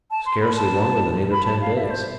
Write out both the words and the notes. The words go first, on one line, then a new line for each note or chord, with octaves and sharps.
"Scarcely longer than eight or ten days."
A5
C6
B5
A5
B5
A5
F5
E5
D5
C5